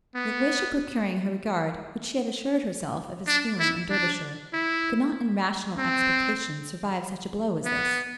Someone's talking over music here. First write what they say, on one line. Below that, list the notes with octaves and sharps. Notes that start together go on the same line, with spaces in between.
The wish of procuring her regard, which she had assured herself of his feeling in Derbyshire, could not in rational expectation survive such a blow as this.
B3
D4
E4
D4
E4
C4
B3